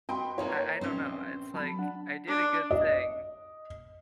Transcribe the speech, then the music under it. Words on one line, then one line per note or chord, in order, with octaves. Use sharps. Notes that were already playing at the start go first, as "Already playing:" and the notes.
I I don't know, it's, like, I did a good thing.
C4 F#4 D#5 G5 B5 C6
A#3 D#4 F4 B4 C#5 A5
A#1 C4 C#4
F#3 A5 B5
D4 F#5
D4
D#5